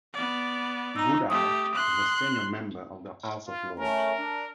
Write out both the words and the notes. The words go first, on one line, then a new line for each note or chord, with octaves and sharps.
Goudie is a senior member of the House of Lords.
B3 D5
D#4 A#5 E6
A3 G4 D#6
C6 F#6
F4
A3 C#4 A#4
D4